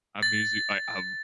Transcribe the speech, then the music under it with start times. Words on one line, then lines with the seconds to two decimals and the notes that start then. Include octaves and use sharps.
I musi I I've
0.23 A6